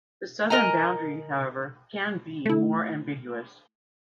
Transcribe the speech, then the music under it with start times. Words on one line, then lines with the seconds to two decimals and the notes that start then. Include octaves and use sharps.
The southern boundary, however, can be more ambiguous.
0.50 A#4 D#5 G#5 A#5
2.46 A3 E4